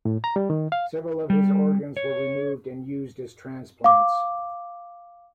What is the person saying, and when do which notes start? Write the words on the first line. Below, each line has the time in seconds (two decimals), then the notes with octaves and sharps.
Several of his organs were removed and used as transplants.
0.05 A2
0.24 A#5
0.36 G3
0.50 D#3
0.72 F5
1.30 G3
1.97 C#5
3.84 F5 D6